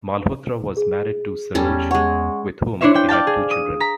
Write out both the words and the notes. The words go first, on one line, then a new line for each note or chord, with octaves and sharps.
Malhotra was married to Saroj, with whom he had two children.
G#4
E2 G3 C#4 A4
G#3 C#5 F#5 C#6
D4 E4 C5 C#5 E5
D4 G5
D5 F5 G5 A5
G#4
D#6
A#5 B6